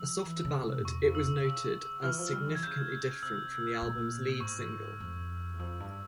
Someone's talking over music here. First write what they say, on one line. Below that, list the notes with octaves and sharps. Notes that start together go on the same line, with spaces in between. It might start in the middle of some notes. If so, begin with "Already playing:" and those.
A softer ballad, it was noted as significantly different from the album's lead single.
Already playing: F3 E6
E3
C#3
C3
E2 C#6
F2
E6
C3
C#3
E3 F6
F3
G3
E3
G#6
C#3 G6
C3 E6
A#2
E6
G#2 C#6
F2
E2
F2 E6
G2